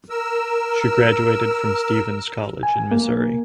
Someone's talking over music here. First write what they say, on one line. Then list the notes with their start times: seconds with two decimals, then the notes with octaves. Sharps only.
She graduated from Stephens College in Missouri.
0.10 A#4 E6
2.63 G#5
2.91 A#3